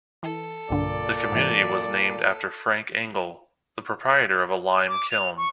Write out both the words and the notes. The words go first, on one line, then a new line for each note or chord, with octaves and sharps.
The community was named after Frank Engle, the proprietor of a lime kiln.
E3 A4
B1 G2 A#2 D3 D5
G#2 E3
D6
F7
C#6